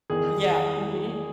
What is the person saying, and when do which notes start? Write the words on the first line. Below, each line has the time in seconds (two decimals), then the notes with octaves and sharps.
Yeah. Mhm.
0.10 E2 D#3 G#4